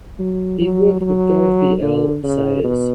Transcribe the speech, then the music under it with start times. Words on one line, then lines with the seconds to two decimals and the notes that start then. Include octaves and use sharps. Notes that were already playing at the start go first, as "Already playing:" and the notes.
He worked with Dorothy L. Sayers.
0.19 F#3
0.61 F#3
1.01 F#3
1.82 D3
2.23 C#3
2.64 B2